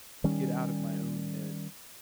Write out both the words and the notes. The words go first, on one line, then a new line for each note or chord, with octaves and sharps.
get out of my own head,
D#3 G3 C#4